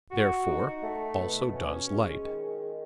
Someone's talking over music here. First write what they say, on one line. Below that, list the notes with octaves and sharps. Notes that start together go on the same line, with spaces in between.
Therefore also does light.
F#4
D#4
A3
B2
C#4
G#3
D#3